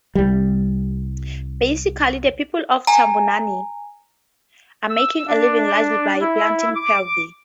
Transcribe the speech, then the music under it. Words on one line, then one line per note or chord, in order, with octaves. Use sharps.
Basically the people of Tambunan are making a living largely by planting paddy.
C2 G3
G#5 A#5
E6
D4
E4
D6